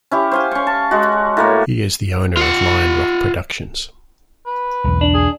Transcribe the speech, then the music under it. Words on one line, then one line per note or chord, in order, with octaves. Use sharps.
He is the owner of Lion Rock Productions.
C#4 E4 G4
C5 F5 G#5
C#4 C#6
A5
G#3 F#4
A2 A#3 C#5
F4 F#5
B4
B1 E2
D4
G#4